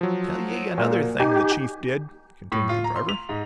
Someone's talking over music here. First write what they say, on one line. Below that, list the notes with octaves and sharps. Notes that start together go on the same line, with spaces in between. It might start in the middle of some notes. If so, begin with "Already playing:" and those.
"Tell ye another thing the chief did," continued the driver.
F3 F#3
A#2
D#4 G4 G#5
A2
F4
A#5
C6
F7
G#2